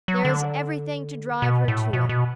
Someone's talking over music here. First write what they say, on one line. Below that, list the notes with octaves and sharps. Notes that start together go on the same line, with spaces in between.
There is everything to drive her to it.
F#3
D3
B2
A2
B2
B2